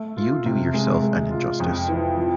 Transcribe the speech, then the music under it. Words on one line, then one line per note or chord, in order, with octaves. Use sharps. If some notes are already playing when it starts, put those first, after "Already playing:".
You do yourself an injustice.
Already playing: A3
F4
C3
G#3
G#3
F4
F2
E3
F3